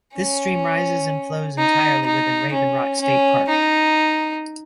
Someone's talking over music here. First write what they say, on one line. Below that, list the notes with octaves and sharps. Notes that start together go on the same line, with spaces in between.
This stream rises and flows entirely within Raven Rock State Park.
C#4
D#4
D#4
C#4
C#4
D#4